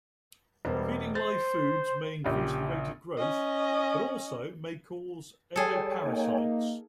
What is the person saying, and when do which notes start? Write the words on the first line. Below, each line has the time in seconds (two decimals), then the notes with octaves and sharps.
Feeding live foods may increase the rate of growth but also may cause endoparasites.
0.65 E1 G3 B3 C5
1.15 C5 A6
2.24 A#1 C#3 G4
3.18 C#4 D#5
5.56 G3 G#4 A4 C#5 G5 G#5
6.05 A#3 D#4